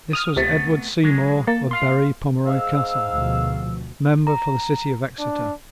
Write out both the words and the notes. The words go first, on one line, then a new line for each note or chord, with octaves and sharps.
This was Edward Seymour of Berry Pomeroy Castle, member for the city of Exeter.
D#6 F6
C#2 C3 A3 B3
F#3 G#3
A#3 A4
F5 C6
G#2 F5 E6
D2 B2 F3
A#5
D4